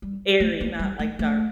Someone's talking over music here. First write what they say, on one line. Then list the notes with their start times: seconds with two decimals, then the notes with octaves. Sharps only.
airy, not, like, dark.
0.02 G3
0.40 A3
0.61 A#3
0.79 G3
0.99 A3
1.19 A3